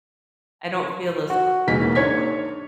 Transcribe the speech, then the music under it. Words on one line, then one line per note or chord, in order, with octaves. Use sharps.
I don't feel as comfortable, um
F#4
E1 E3 A#3 D#4 B6
G#2 A#3 D4 C#5 G#6 B6